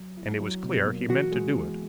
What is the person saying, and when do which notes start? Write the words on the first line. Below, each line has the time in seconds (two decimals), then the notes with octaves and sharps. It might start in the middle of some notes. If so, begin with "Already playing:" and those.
And it was clear he meant to do it.
Already playing: F#3
0.17 E4
0.40 F#3
0.63 B2
0.86 A#3
1.10 E3 F#4
1.32 G#3
1.55 E3